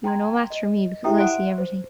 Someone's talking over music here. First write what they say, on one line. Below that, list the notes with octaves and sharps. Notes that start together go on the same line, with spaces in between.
You are no match for me because I see everything.
G5 A#5 C6 G#6
D#5
E4 G4 E5 G5 A#5 D#6
C#5 E5 F#5 C6 F#6 D7
C5